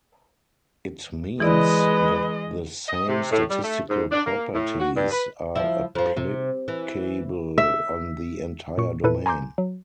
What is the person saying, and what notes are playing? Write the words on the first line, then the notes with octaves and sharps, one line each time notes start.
It means that the same statistical properties are applicable on the entire domain.
E3 G#3 E4 B4 D5 D#5
D#5
C3
A2
G3
A3
G#2
D4
A#3
A2
F#4
G2
B4
F3 E4
F2 F3
C3
E3
E5
A#2 C#6
A#2 E4 A4 B4 D#7
G#5 A#5 C6 D6 G6
F#3